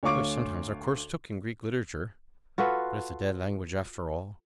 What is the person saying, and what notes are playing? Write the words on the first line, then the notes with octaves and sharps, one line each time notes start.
I wish sometimes our course took in Greek literature, but it's a dead language after all.
D2 C#5 F5 C#6 D6 D7
F4 F#4 A4 B4